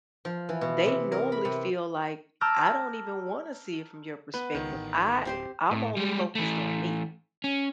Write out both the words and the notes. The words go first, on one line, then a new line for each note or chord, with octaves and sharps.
they normally feel, like, “I don't even wanna see it from your perspective, I w I'm only focused on me,
F3
E3
B2
C3
A#4
B5
C3
A5 A#5 D6 E6 F6 G6
B3 B4
C#2 D#3
A1
D1 C4 G4 C5
A2
G3 G#3
E3 A3
C#4